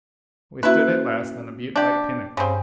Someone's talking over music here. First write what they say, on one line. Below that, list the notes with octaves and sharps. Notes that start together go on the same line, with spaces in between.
We stood at last on a buttelike pinnacle.
A#3 C#4 E4 F#4 B4
D4 G4
G2 C#3 C4